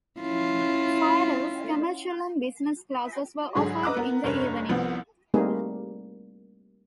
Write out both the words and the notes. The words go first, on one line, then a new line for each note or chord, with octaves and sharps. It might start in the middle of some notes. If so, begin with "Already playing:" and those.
For adults, commercial and business classes were offered in the evenings.
C#4 E4 F4
G#2 D3 F#3 G#4
B4 D#5 A#5 D6 E6 F#6
B3 A#4
F1 G2 C#4 A#4 C#5 F7
C2 F3 B3 C4
G3 A3 A#3 C4 D#4 G#4